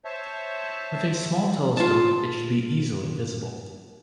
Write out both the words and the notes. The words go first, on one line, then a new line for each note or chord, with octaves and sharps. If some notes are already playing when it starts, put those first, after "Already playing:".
With a small telescope it should be easily visible.
C5 C#5 E5 A5
F4 A5